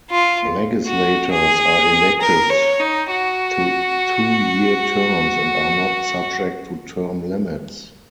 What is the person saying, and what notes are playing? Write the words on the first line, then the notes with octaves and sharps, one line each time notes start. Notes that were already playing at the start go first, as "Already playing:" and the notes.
Legislators are elected to two-year terms and are not subject to term limits.
F4
F#4
G#4
A#4
C#5
D#4
F#4